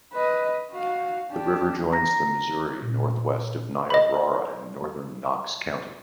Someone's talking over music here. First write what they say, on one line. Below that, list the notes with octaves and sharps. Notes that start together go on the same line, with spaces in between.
The river joins the Missouri northwest of Niobrara in northern Knox County.
B4 D#5
F#4 F5
D4 G4
A#5 A#6
A#2
D#5 B5